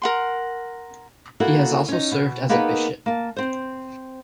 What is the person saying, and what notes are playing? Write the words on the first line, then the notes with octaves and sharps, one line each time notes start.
He has also served as a bishop.
A#4 F#5 C6
A#3 E4 F#4 A4 A#4
C#4 D#4
B2
A#3 B3 D#4 G#4 A#4 B4
A#3 A5
C4 C5